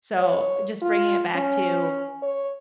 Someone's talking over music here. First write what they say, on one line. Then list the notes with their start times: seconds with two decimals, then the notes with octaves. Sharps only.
so, just bringing it back to
0.19 C#5
0.82 F4
1.36 C#4
2.22 C#5